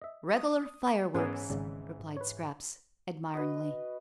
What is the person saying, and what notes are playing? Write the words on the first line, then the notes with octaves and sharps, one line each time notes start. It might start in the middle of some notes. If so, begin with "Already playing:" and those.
"Reg'lar fireworks," replied Scraps, admiringly.
D#5 E5
D#6
G#2 E3 B3 C#4 G#4 A#4
G#1 C#3 D5
B4 C#5
F#4 B4 D#5